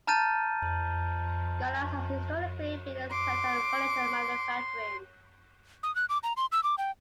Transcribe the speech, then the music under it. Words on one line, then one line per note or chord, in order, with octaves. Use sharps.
Galax has historically been a center of furniture manufacturing.
A5 A#5 F6 G6 A6 D#7
C6 D6
D#6
F#6
D6
A#5
C6
E6
D6
G5